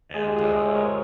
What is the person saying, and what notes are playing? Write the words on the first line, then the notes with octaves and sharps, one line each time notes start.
and, uh
G#3 G#4
G4
F4 G#4
D#5
C#5
C5
A#4 C#5